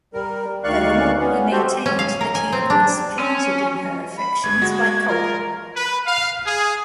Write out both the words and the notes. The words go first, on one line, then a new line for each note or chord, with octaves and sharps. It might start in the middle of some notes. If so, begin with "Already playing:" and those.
Furthermore, he maintained that he had been supplanted in her affections by Culpeper.
G3 A#4
D2 D#3 D5 F5 C#6 F#6
B3 C#4
F#4 G4 A4 C5
C#4
F5
A#4
G#5
C4
D4
C#4
B5
G1 G2 G#6
G#3 F#4
F4 A#4
B4
F5
G#4